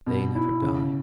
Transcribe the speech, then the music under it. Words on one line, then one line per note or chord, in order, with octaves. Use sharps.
They never die.
B2
E4
C#3